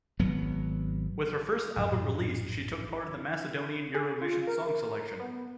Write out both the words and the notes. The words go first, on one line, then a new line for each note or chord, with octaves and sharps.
With her first album released, she took part in the Macedonian Eurovision song selection.
G#1 F#3 B3
A#1 F#2 A2
G#4
F4
A#4
B3